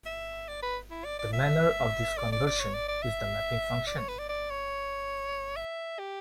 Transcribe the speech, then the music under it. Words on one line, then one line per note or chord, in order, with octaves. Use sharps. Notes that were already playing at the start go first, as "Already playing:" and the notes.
The manner of this conversion is the mapping function.
E5
D5
B4
E4
D5
D5
E5
D5
D5
D5
C#5
D5
D5
E5
D5
C#5
B4
D5
D5
C#5
E5
G4